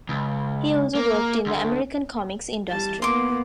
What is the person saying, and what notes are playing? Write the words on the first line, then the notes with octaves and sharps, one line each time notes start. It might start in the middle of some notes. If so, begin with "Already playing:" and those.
He also worked in the American comics industry.
C#2
A#3
D2
G3 A5
A#3 B3 C6 D6